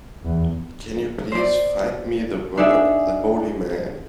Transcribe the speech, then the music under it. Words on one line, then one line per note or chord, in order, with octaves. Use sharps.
Can you please find me the work, The Holy Man?
E2
C5 D5
D4 D#4 G#4 E5